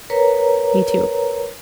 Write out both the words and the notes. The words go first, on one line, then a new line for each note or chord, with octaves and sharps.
me too.
A#4 B4 C#5 A#5